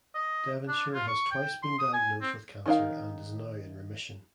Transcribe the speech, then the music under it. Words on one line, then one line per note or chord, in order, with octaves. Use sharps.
Devonshire has twice been diagnosed with cancer and is now in remission.
D#5
D4
F4
C#6
G5
C6
D#6
G#5
C4
D#3 A3 D#4 A#4 F5